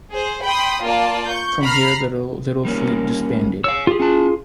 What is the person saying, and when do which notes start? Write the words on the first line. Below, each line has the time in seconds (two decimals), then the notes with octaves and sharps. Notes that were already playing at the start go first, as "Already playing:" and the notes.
From here the little fleet disbanded.
0.13 G#4 C5
0.44 G5 B5 C6 D#6
0.85 A#3 F4 D5 A5
1.29 C#6 G6
1.64 A#5 B5 F6 C7
2.65 G3 A#3 C#4
3.64 C#5 F5 E6
3.87 F4 G4 G#4
4.00 C#4 A5